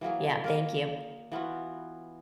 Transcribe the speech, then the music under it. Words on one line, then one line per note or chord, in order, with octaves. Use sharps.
Yeah, thank you.
E3 F#3 A#3 G#4
A#3 A#4 D#5
E3 B3 F4 F#4